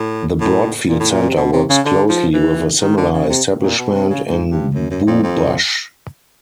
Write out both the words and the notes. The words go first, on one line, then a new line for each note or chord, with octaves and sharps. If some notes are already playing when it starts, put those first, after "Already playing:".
The Broadfield centre works closely with a similar establishment in Bewbush.
Already playing: A2
A2
A#2
A2
A#2
C3
B2
C3
C#3
D3
F3
E3
D#3
D3
C#3
C3
A#2
B2
C3
C#3
G#2
G2
F#2
F#2
F2
F2